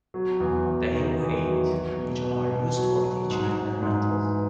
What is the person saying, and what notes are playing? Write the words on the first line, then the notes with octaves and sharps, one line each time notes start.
They have eight, which are used for teaching and rentals.
F#3
E2
E2
D#3
E2
F#3
F#3
B2
B2
B2
F#3
F#3
G#2
G#2
G#2
E3